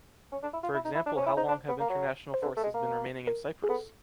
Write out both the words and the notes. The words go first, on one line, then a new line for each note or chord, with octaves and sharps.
For example how long have international forces been remaining in Cyprus?
C#4
D4
E4
F4
E4
D#4
E4
D4
C#4 C5
E4 C#5
D#4 C5
D4
B3
A#3
F#3
C5
D3 B4
A3
G#3
A#3
A#4
G#4
B3 A4